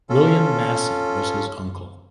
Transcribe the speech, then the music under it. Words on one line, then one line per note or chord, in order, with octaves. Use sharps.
William Massey was his uncle.
C#4 F4 A4